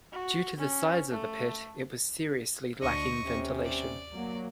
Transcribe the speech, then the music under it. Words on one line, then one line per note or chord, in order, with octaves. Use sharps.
Due to the size of the pit, it was seriously lacking ventilation.
F#4
C#4
A3
D2 D4 D#5 C#6
D#2 C3 C#4
D5
F#3 A#3